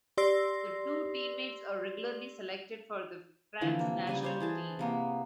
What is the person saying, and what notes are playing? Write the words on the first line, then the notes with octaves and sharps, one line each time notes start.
The two teammates are regularly selected for the France national team.
G4 D5 C6 E6 A#6 C7
D3 E3 F3
C3 A#3
C#3 G3 G#5
G4 C5 C#5
E3 G#4 A5
C3 A#3 B3